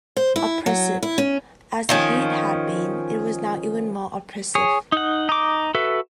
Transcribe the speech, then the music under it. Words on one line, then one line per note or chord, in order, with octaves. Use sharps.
Oppressive as the heat had been, it was now even more oppressive.
C5
E4
F#3
E4
C#4
D#3 F3 C#4
G#4 C#5
D#4 F#5
D#4 D6
F#4 A4 B4 E5